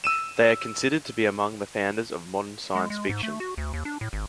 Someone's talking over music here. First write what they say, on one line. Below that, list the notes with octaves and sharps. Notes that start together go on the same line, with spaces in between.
They are considered to be among the founders of modern science fiction.
E6 D#7 E7
G#3
G#3
G#2
A3
F#4
D2
D#2
D4
A2
G#1